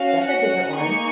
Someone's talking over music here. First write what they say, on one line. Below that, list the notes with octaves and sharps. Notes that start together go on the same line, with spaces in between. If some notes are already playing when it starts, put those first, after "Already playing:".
that's a different one.
Already playing: C#4 F#4 F5
F#5
A#3 D#4 G#4 C#6